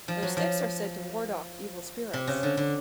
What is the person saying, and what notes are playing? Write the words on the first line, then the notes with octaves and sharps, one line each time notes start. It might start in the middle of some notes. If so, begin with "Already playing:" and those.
Their sticks are said to ward off evil spirits.
F3
F#3
F3
C3
C#3
D3
D3